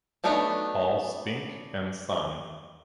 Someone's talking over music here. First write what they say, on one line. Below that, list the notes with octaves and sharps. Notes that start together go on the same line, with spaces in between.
All Spink and Son.
F#3 A3 B3 D4 D#4